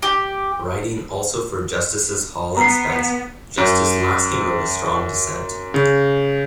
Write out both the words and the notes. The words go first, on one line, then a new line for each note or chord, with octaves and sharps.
Writing also for Justices Hall and Spence, Justice Laskin wrote a strong dissent.
G4
B3 A#5 C7
F#2
C#3